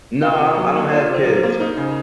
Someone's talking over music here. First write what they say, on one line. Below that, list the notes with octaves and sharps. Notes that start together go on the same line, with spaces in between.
No, I don't I don't have kids.
F4 F5
C3
F#3
A#3
F4 C#5
A#4
C3
C5
F#3 A#4
C5
A#3
A#4
D#4 C5
C#3